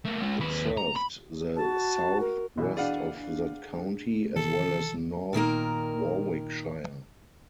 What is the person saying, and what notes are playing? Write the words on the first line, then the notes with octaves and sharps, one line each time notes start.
It served the south-west of that county, as well as North Warwickshire.
A3 A#3
G#3 F4
D#2 B4
A#5
B5
F#4 A5
A#4
B2 E3
D4 G#4 D5 F5 F#5
C3 D#3 E3 A4
A#2 D#3 A#3 A#4